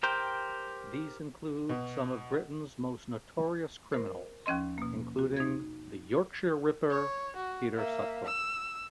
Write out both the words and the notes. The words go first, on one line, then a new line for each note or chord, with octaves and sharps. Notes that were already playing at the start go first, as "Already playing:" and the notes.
These include some of Britain's most notorious criminals, including the "Yorkshire Ripper" Peter Sutcliffe.
G4 A#4 C5 G5
B2
A#4 C5
D#2 F3 C#4 D#5 C6
B2 A#3
F#4
D#4 G#6
C#5
F#4
A#3 E5
E6